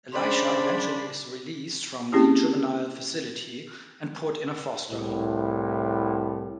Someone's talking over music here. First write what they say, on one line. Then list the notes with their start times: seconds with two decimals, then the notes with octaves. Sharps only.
Elijah eventually is released from the juvenile facility and put in a foster home.
0.13 C#3 D4 C5 D5 B5
2.12 A#3 C4 C#4 E4 G4 G#4
4.91 C2 A2